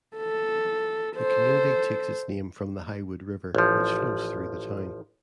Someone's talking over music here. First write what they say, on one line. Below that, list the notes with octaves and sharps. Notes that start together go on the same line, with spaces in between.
The community takes its name from the Highwood River, which flows through the town.
A4
A4 C5
A1 F3